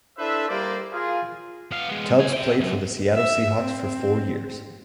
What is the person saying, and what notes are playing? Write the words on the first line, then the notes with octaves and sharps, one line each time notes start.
Tubbs played for the Seattle Seahawks for four years.
D4 E4 A4 B4 C5 E5
G3 A#3 C5 D5
F4 G#4 A#4
B3 F5
G#3 B3
F4 G#5
E5 G5
C2 F#2
E5
C4